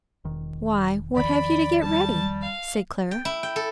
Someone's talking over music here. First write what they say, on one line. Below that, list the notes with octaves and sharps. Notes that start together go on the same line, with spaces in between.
"Why, what have you to get ready?" said Clara.
E1 D#3
E2 D#3 F3 D5 B5
G3 A5 A6
F5
G5
E4
G5
A4